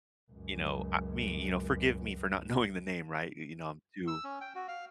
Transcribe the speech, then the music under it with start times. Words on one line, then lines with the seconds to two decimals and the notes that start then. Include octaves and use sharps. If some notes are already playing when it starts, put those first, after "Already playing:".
you know, uh me you know, forgive me for not knowing the name, right? You you know, I'm too
0.31 C#2 F#2
4.08 E6
4.24 C#4
4.41 G5
4.55 F#4
4.68 F5